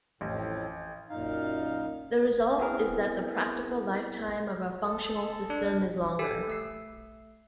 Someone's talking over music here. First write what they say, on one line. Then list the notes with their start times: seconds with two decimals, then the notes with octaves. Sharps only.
The result is that the practical lifetime of a functional system is longer.
0.21 A1 F2 A2
1.10 F#2 A#2 D#4 F5
2.58 B3 C4 E4 G#4 A#4
4.84 A4
5.50 D4
6.19 G4 A4 G#5
6.48 A3 E6 C7